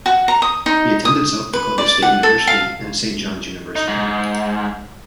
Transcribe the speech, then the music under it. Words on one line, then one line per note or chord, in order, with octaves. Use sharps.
He attended South Dakota State University and Saint John's University.
F#4
A#5
D#6
D#4
D#6
B4
D5
F#5
A4
F5
D#4
G#2